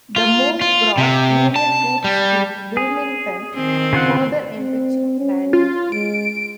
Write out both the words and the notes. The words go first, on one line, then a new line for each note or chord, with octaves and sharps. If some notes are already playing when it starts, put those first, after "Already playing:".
The move brought Union troops to Wilmington, further enriching Banning.
F4
F4
C3
A5
G3
G#4
D#3 C4
C#3 F4 F#5
C4
C#4
F4
G#3 D7